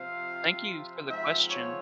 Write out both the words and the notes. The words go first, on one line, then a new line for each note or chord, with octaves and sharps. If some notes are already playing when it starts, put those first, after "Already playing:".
Thank you for the question.
Already playing: C3 F3 C4 F4 F5
G#2 F3 C4 F4 E5
C#5